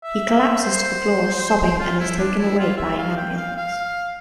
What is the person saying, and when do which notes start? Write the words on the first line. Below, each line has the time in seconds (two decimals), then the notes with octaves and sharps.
He collapses to the floor sobbing and is taken away by an ambulance.
0.03 E5
0.63 C5
1.79 F4
2.00 E4
2.18 D4
2.38 E4
2.59 F4
2.77 E5
2.98 F5
3.17 G5
3.37 F5
3.56 F5